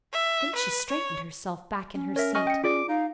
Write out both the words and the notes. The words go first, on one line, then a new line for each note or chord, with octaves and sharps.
Then she straightened herself back in her seat.
E5
B4
C#5
C#4
A#4 C#5 E5
D#5 G#5 C#6 F6
G5 C#7
F4 G#4 D5 D6
D#4 F5